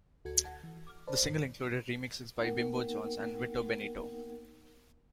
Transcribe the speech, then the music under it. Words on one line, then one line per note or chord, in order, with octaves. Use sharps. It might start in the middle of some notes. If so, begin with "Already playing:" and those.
The single included remixes by Bimbo Jones and Vito Benito.
D2 F#4 A4 G#6 C#7
F#5 A5 G#6
E3
D6 F6
A#4 C5 D5 A5 B5
F#2 A2 D#3 B6
A#3 B3 D#4 A#4 F#5 G5